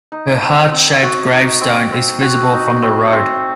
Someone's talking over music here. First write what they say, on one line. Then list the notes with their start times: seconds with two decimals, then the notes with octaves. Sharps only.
Her heart-shaped gravestone is visible from the road.
0.12 D#4
0.42 C4
0.72 C4
1.02 F#4
1.32 D#4
1.61 C4
1.92 C4
2.22 F#4
2.52 D#4
2.82 C4
3.12 C4